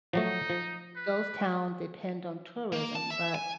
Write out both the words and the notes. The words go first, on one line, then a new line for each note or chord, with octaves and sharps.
those towns depend on tourism, but,
F3 F#3 A3 D#4
F3
B4
A#3
A5
E5
G#5